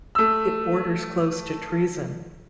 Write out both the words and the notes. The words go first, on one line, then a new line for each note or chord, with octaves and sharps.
It borders close to treason.
A3 E6